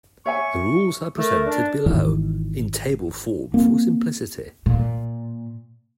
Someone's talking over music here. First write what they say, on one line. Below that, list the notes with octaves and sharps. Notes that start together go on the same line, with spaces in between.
The rules are presented below, in table form for simplicity.
C#5 E5 G#5 C#6
A3 A#4
D4
G#1 G#2 D#3 E3
A#3 C4
A#2